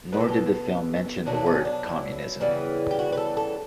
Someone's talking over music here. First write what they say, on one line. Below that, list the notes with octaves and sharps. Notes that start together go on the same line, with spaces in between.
Nor did the film mention the word Communism.
B2 G3 B3 A4 B4
G4
A4
B2 F#3 A3 D4
C#4
D4
E4
C#3 E3 G3 B3
G4
F#4
B4
A4
A4